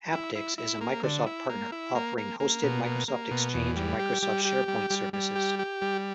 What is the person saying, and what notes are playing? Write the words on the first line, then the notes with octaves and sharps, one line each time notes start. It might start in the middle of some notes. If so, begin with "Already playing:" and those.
Apptix is a Microsoft partner, offering hosted Microsoft Exchange and Microsoft SharePoint services.
E4
E4
E4
A#3
D3
E4
A#3
E4
A#3
A#3
A#3
B2
A#3
A#3
B2
E2
G3
G4
G3
G4
G3
G3
G3
G4
G4
G3